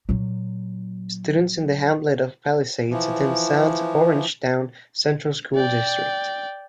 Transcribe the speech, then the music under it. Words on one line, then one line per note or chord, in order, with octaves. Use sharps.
Students in the Hamlet of Palisades attend South Orangetown Central School District.
A#2 F#3
E3 F3
D5 G5